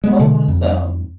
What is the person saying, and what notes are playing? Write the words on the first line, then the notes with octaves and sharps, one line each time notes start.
Oh, awesome.
G#3 B3
B2 D3 E3
F2